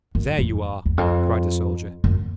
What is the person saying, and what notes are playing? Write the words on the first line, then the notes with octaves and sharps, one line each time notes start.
There you are!' cried the Soldier.
F#2
F2
E2
F2
F#2